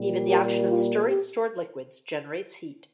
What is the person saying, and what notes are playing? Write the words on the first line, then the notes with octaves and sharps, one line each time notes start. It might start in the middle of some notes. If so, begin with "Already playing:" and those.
Even the action of stirring stored liquids generates heat.
Already playing: A#2 G3 A#3
G4 A#4
F4
G4